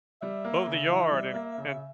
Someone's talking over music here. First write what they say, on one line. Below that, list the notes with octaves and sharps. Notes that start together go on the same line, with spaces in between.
Mow the yard and and,
G3 E5
A#3
C#3
E3
G3
A#3
C#3